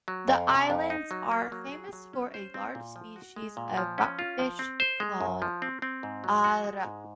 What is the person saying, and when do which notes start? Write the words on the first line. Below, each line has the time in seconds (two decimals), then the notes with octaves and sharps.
The islands are famous for a large species of rockfish, called "Arr-a".
0.08 F#3
0.28 F2
0.49 C3
0.70 F2
0.90 D#4
1.11 F#3
1.31 A#3
1.52 F#3
1.72 G#4
1.93 F#3
2.13 C#4
2.34 C5
2.54 C4
2.75 A#2
2.96 F3
3.16 F#4
3.36 G#3
3.57 A#2
3.77 F3
3.98 C#4
4.19 F4
4.39 F3
4.59 C4
4.80 C5
5.00 G#3
5.21 F#2
5.42 F3
5.62 C4
5.82 C4
6.03 G#2
6.24 F#3
6.44 F#4
6.64 G#3
6.85 G#2